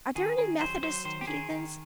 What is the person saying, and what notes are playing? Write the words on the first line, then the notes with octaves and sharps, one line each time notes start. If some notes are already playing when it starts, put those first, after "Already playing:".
Are there any Methodist heathen?
D#3 G#4
D#3 G#4
F#3 C5
F#3 C5
D#3 C5
G4
D#3 G#4
D#3